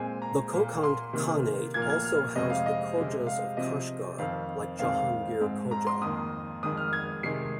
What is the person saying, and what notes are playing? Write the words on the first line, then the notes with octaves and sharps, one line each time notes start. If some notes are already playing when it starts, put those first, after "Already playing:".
The Kokand Khanate also housed the Khojas of Kashgar like Jahangir Khoja.
Already playing: A#2 G#3 C4 G#5
A#5
A#2 A#3
C6
C3 D#3 A#3
A#2 F3 A#3 G#6
F6
G#6
F6
F2 C3 G#3 C4 D#5
F5
D#5
C3 G#3 C4
F5
C3 F3 C4 D#5
F2 D#3 C4 F5
F2 D#3 G#3 C4 F5
F5
G#2 G#3 C4
A#5
C6
F2 D#3 A#3 D#6
F2 D#3 G#3 D#6
F6
G#6
C3 D#3 G#3 C7